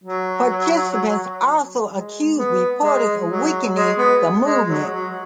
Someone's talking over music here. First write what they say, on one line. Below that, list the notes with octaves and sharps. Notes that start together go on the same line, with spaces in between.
Participants also accused reporters of weakening the movement.
F#3
G#3
B3
G#3
F#3
G#3
B3
G#3
F#3
F#3